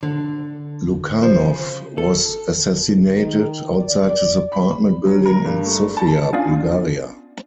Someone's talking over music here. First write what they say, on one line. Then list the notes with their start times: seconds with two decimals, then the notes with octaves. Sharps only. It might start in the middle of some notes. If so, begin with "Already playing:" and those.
Lukanov was assassinated outside his apartment building in Sofia, Bulgaria.
0.03 D3
1.23 F3
1.39 C#3
1.98 A4
3.10 D#3
3.77 D5
4.52 B5
5.06 F#3
5.26 A#4
5.45 G2
5.65 A3
5.97 A5
6.33 B3 C#4 D4 F4 D5 F5